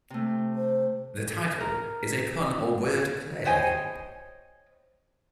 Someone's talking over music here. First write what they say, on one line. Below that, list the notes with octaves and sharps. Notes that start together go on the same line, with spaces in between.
The title is a pun or word play.
C3 A3
C5
A#4
C5 C#5 D#5 G5 G#5